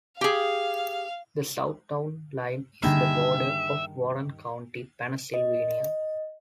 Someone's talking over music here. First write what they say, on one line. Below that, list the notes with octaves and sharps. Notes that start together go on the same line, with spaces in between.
The south town line is the border of Warren County, Pennsylvania.
G4 G#4 F5
G2 D3 D#3 G3 A#3 G#4 E5
D#5